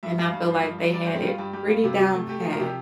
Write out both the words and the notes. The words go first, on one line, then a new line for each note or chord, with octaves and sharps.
and I feel like they had it pretty down pat
G2 E5
G2
F5
G2
F3
G2
G2
G2 D5
G2 C5
G4
G2 F4
G2 G4
G2 G4
G2 F4
C3
C3
A3
A3 G4
F3 A4
A#4
C3 G4